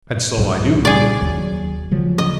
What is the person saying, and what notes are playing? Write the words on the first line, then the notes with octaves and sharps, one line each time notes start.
'And so I do.
C2 G#2 F#3
A#2 C#3 G3 G#4 D5
F1 D#2 F#3
C#3 F3 F#3
D#5